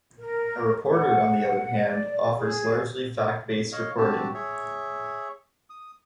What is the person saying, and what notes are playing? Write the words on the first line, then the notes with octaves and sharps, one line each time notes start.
A reporter, on the other hand, offers largely fact-based reporting.
A#4
F#5
D5
G#4
C#5 D#5 F5
C4 D4 F#4 G4 A5
G#4 C#5 E5
D#6